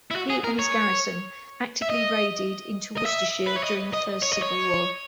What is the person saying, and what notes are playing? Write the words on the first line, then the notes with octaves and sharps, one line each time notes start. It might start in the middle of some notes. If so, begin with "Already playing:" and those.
He and his garrison actively raided into Worcestershire during the First Civil War.
E4
F#4
G#4
A#4
C#5
E5
D#5
D#5
E5
B4
C#5
D#5
D#5
C#5
D#5
C#5